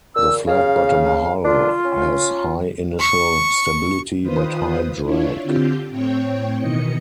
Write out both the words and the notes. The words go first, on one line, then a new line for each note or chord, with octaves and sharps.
The flat bottom hull has high initial stability but high drag.
A#2 E6
C#3 F5
D4 F4
C#4
C#6
D#3 F4 B4 C5 D#6
D4 E4 F4 C#5
D3 C4 F4 G4 G6
A2 C4 C#5 G5
B2 D#3 E3 D#5 C#7